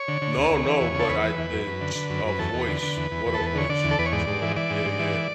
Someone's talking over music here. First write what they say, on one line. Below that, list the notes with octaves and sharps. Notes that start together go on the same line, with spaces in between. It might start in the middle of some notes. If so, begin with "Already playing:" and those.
No, no, but I did ch A voice, what a voice. Sure. Yeah, yeah.
Already playing: C#5
D3
D3
D2
D2
E3
E2
C#3
A4
E2 B4
E3
E2
F#2
F#2
D3
D3
F#2
F#2 B4
E2 A4
E2
B4
D3
D3
E2
E2
E2
A4
E2
B4
D3 C#5
D3 D5
E2
A4
E2 B4
C#5
G#2 D5
G#2
E3
E3 D5
G#2
G#2
E3